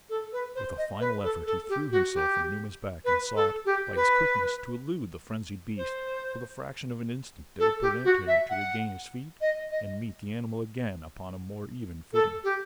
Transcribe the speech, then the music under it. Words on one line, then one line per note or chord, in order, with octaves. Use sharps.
With a final effort he threw himself from Numa's back and sought, by his quickness, to elude the frenzied beast for the fraction of an instant that would permit him to regain his feet and meet the animal again upon a more even footing.
A4
B4
C5
D#5
B4
A4
A4
G4
F#4
G4
B4
A4
G4
B4
C5
A4
G4
F#4
E5
F#5
D#5
D#5
A4
G4